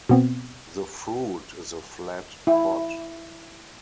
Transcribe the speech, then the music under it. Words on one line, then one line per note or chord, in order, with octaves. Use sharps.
The fruit is a flat pod.
B2 B3 C4
E4